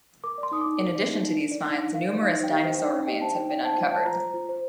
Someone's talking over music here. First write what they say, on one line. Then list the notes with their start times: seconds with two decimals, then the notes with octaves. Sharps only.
In addition to these finds, numerous dinosaur remains have been uncovered.
0.24 A#4 D6
0.38 D5
0.43 C6
0.52 D#4 D#6
0.61 D6
0.66 D#4
0.81 A#4
0.95 D5
1.09 D#4
1.23 D#4
1.37 A#4
1.51 D5
1.65 D#4
1.80 D#4
1.93 A#4 F5
2.07 D5
2.22 D#4 F5
2.36 D#4
2.44 G5
2.50 G4 F5
2.64 C5
2.79 D#4 G5
2.93 D#4
3.07 G4 G5
3.21 C5 A5
3.35 D#4 G5
3.50 D#4 G5
3.64 C5 A5
3.78 F4 G5
3.92 C5 A5
4.06 F4 A#5
4.20 C5
4.34 F4
4.49 C5